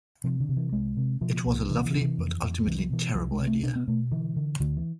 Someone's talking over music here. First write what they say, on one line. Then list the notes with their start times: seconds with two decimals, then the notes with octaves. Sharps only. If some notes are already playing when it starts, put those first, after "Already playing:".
It was a lovely but ultimately terrible idea.
0.24 C3 F3
0.40 D3
0.49 C3
0.56 E3
0.72 C2 G#3
0.97 C3
1.21 B2 F3
1.46 C2
1.69 C3 E3
1.86 E3
1.94 C3
2.01 E3
2.18 F2
2.42 F2
2.66 C2 E3
2.80 F3
2.90 B2 E3
3.14 C2 F3
3.31 G#3
3.39 C3
3.47 A3
3.63 B2 D4
3.76 B3
3.88 B2 A3
4.11 D3 E3
4.36 D3
4.60 D2 D3
4.76 E3